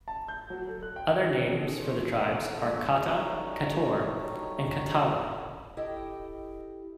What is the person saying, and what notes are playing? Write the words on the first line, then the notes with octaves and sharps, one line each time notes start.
Other names for the tribes are "Kata", "Kator" and "Katawer".
A5
G6
F#3
A4
F#6
G5
C5
D#3 E3 C#4 G#4 A4
E4 C5 C#5
B3
G4 A4 C#5 F#5
G#3 D4 C#5 E5
F#3 G3 A3 D#4 C#5
E4 G4 A4 D#5 G5